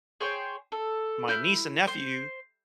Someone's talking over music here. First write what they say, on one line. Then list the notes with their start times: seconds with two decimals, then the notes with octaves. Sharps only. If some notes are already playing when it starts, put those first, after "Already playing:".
my niece and nephew,
0.20 G#4 C5 C#5 G5
0.72 A4
1.28 E4 F6 G6
1.87 C5